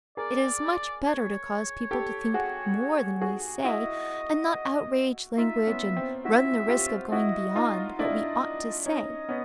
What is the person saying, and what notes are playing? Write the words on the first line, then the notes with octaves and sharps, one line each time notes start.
It is much better to cause people to think more than we say, and not outrage language, and run the risk of going beyond what we ought to say.
G#4 A#4 D5
C#5
G4 A4
F#4 G#4
F#4 G#4
E4 F#4 D#5
D#4 F4 E5
B3 C#4
C4
E4 F#4 E5
F4 G4
E4 F#4 D#5
D#4 F4
D4 E4 D#5
C#4 D#4 D#5
B3 C#4